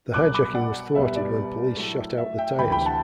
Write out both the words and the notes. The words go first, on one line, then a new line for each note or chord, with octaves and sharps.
The hijacking was thwarted when police shot out the tires.
C2 B2 F#3 D6 F#6
B5 D6
D5 F#5
C2 B2 G3 B3 E5
D5
A2 F#3 A3
E5
E5 G5
D2 C3 E3 G5 B5
G5 B5
F#5 A5